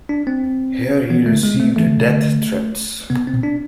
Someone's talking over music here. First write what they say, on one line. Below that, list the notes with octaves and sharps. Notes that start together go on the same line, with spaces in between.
Here he received death-threats.
D4
C4
E3 B3
A3
D3
G#3
C3
A3
E3 A3
D3
C3
D3
C3 B3
C4
B2
D4